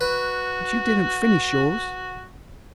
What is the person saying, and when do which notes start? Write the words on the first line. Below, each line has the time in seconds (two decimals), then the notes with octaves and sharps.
But you didn't finish yours.
0.01 F#4 B4